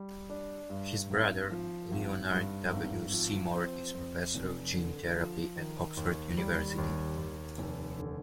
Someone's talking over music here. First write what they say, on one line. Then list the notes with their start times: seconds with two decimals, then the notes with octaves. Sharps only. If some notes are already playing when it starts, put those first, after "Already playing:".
His brother Leonard W. Seymour is Professor of gene therapy at Oxford University.
Already playing: G3
0.30 D4
0.70 G2
1.10 G#1
1.51 F3
1.91 G#1
2.32 G2
2.72 G#1
3.12 F3
3.53 C4
3.94 F2
4.34 F1
4.74 D3
5.15 F3
5.56 D#3
5.97 D#2
6.37 G3
6.78 D#2
7.18 D#2
7.58 F1
7.98 D3